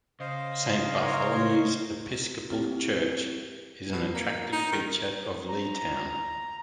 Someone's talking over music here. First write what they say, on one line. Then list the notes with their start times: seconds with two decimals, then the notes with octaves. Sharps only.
Saint Bartholomew's Episcopal Church is an attractive feature of Leetown.
0.20 C#3 C5 D#5 F5
1.00 A#4 C#5 C6
2.51 C4 E4 G4
3.92 B2
4.14 A#3
4.53 D#4
4.72 D#3
5.48 A#5